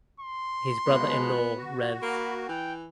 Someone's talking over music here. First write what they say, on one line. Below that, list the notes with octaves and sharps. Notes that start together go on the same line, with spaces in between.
His brother in law Rev.
C6
B2 F3 G#3 B3
F#4
A#3 B5
E3 G5